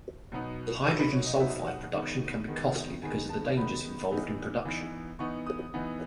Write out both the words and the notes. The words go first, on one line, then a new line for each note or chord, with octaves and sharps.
Hydrogen sulfide production can be costly because of the dangers involved in production.
B2 F#3 B3 D#4
B2 F#3 B3 D#4 A4
B4
C#5
D#5
B2 F#3 B3 D#4 E5
F#5
D#3 G#3 B3 D#4
D#3 G#3 B3 D#4
D#3 G#3 B3 D#4 G#5
A5
D#3 G#3 B3 D#4 B5
E3 B3 D#4
E3 B3 D#4
E3 B3 D#4 C#6
D#6
E3 B3 D#4